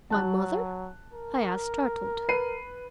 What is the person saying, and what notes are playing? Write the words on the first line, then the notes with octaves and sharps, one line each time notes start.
"My mother?" I asked, startled.
F#3 A5 F#6
A#4
B4 C7 D#7